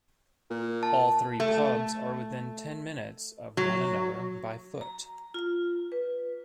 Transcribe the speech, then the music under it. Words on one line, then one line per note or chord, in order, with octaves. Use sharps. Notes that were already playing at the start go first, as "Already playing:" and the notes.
All three pubs are within ten minutes of one another by foot.
A#2
A5
A3
F#3
A#5
F4
B4